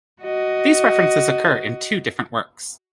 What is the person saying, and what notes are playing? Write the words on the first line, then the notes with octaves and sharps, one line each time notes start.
These references occur in two different works.
F#4 D#5